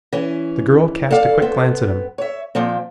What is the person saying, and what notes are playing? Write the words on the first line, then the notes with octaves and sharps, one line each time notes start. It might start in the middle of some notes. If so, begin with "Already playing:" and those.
The girl cast a quick glance at him.
E3 C#4
A4 D5 F5
B3 C4
C#5 E5
A#2 F3 C4